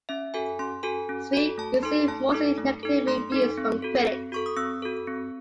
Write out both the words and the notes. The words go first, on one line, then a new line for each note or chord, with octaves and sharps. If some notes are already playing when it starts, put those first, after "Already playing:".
"Sphere" received mostly negative reviews from critics.
C#4 E5
F#4 A4 G#5
C#4 C6
F#4 A4 G#5
C#4
F#4 A4
A3 A5
D#4 A4 C6
A3 A5
D#4 A4
A3
D#4 A4
A3 C6
D#4 A4
C4
F#4 A4
C4
F#4 A4 C#6
D#6
C4 E6
F#4 A4
C4